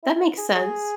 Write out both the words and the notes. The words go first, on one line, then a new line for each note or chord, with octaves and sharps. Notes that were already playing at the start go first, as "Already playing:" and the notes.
That makes sense.
E4
G#4
G#4